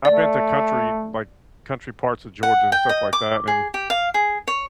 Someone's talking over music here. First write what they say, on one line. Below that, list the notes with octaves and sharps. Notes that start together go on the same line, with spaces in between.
I've been to country like, country parts of Georgia and stuff like that, and,
A3 D5
F#5
G5
D#5
D6
G#4
G4
F5
G#4
C#5